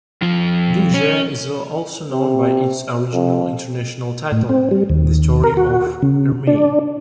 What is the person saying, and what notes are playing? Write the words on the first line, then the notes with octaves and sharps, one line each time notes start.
"Jingzhe" is also known by its original international title, The Story of Ermei.
F2 F3
C#4
C3
F2
A2
C4
G3
D#2
A#4
F#4
C#3
D4